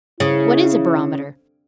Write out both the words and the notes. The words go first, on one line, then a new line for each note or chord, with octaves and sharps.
What is a barometer?
C#3 E4